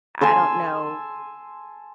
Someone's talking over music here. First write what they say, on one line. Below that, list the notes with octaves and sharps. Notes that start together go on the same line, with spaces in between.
I don't know,
G#5 A5 C6 E6